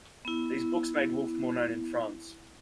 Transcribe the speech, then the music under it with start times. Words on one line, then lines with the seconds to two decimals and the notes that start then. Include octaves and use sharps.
These books made Wolff more known in France.
0.25 B3 E4